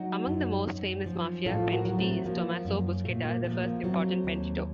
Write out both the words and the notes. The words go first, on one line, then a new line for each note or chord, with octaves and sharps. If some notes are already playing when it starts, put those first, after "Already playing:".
Among the most famous Mafia "pentiti" is Tommaso Buscetta, the first important "pentito".
Already playing: F#3 D#4 F#4
F#2
F#2
F3
A2 F4 A4
F#4 A#4
F#3
A3 C4
F3 A#3
F#2
A#2 A3
A#3
F3 A3
A#3
F#3 A3 C4
D#2